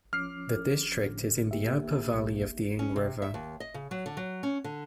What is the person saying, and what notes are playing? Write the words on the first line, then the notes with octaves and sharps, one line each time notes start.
The district is in the upper valley of the Ing River.
F3 C#4 D6 F6 C7
A2 D3
A#3 G4 E5
B1
C#4
C3
E5
D#2
D#5
C#3
F#3
D3
F#3
C#4
D3